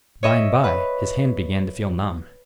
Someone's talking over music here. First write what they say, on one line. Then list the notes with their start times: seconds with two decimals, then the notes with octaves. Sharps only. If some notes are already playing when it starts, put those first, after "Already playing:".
By-and-by, his hand began to feel numb.
0.23 C#5 D#5 E5
0.64 B4